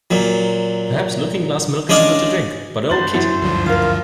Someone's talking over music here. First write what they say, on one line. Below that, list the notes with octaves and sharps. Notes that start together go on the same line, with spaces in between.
Perhaps Looking-glass milk isn’t good to drink—But oh, Kitty!
A#2 F#3
G#3 C#4 D4 D5 D#5 F5
G1 C5 A6 F#7
F#2 E4 F#4 C5
D2 G2 F3
F4 A#4 F5